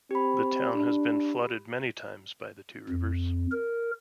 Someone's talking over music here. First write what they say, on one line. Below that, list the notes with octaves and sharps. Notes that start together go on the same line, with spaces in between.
The town has been flooded many times by the two rivers.
C4 G4 B5
D4
F2
A#4